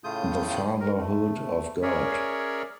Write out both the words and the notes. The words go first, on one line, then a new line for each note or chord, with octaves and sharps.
The Fatherhood of God.
A2 C#3 A3 F4 D#6 G6
A#4
A3
C#4 G#4 A#4 C#5 D5 E5